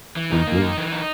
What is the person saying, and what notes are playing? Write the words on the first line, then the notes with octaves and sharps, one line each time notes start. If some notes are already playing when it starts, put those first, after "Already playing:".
We do.
E3
D#4
A#3
D#4
E3
D#4